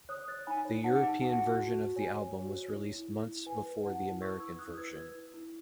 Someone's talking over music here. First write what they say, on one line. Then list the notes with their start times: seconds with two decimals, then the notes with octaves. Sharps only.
The European version of the album was released months before the American version.
0.09 C#5 D#6 F#6
0.28 C#5 F#6 A6
0.47 D#4 G#5 B5
0.65 C#5
0.84 D#4 F#5 A5
1.03 D#4
1.22 F#4 F#5 A5
1.40 F#4
1.59 F#4
1.78 F#4
1.96 C#5 G#5
2.16 C#5
2.34 F#4
2.53 C#5
2.72 E4
2.91 E4
3.10 E4
3.27 E4
3.46 B4 G#5
3.66 B4
3.84 E4 F#5 A5
4.03 E4
4.22 B4 C#6 E6
4.40 E4 E6 G#6
4.59 E4 D#6 F#6
4.77 B4 E6 G#6
4.97 B4
5.15 E4
5.34 E4